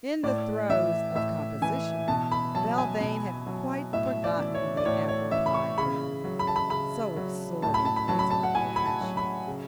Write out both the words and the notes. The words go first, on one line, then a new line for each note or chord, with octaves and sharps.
In the throes of composition Belvane had quite forgotten the apple-pie bed, so absorbing is our profession.
A2 D5
E3 E5
A2 E5
E3 G#5
B2 A5
B5
F#3 A5
G#5
B2
F#3
A2 E5
D5
E3
C#5
D5
A2 C#5
C#5
E3 E5
B5
C#6
C#3 B5
F#3
B5
A5
B5
C#3 B5
F#3
A2 A5
B5
A5
B5
F#3 A5
B5
A5
F#5
A2 G#5
B5
A5
F#3
B5
C#3